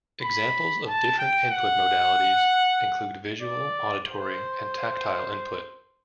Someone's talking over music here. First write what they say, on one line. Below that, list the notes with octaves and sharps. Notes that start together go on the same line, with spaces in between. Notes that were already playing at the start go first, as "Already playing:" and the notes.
Examples of different input modalities include visual, auditory and tactile input.
B5
A5
G5
F#5
D5
C5